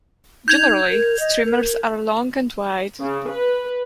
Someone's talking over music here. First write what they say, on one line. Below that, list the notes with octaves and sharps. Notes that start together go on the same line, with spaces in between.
Generally, streamers are long and wide.
D#4 G6 G#6 F7
A#4
D#5
A#4
C#3
B4